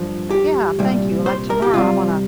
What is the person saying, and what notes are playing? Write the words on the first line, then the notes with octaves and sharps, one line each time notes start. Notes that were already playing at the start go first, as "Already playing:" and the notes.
Yeah, thank you, like tomorrow, I'm gonna
Already playing: G2 F3
G4
C2 A#2 G3
C5
A#4
G4
C2 C3 G3 F4